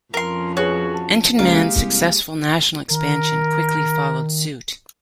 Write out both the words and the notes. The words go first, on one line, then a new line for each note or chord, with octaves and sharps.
Entenmann's successful national expansion quickly followed suit.
F2 F3 C#4 A#4 C6
F#4 G#4 B4 C#5
A5
C#2 G#3 A#3 G4 F5
C2
D#3 A#4